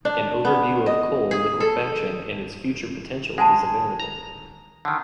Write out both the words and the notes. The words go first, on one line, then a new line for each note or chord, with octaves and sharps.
An overview of coal liquefaction and its future potential is available.
D4
B3
D#5
G#4
A4
G#3 F#5 G#5 A5
A#5
D3 D#3